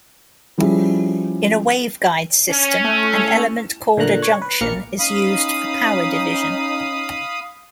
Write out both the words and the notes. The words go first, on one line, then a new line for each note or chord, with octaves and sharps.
In a waveguide system, an element called a junction is used for power division.
F3 G3 C#4 E4 G#4
C#4
A3
A#2 D3 A3 A#5 F#6
C#5
B4
A#1 A#3 A#4 F6 C#7
C#4 D#4 F5 B5 D#6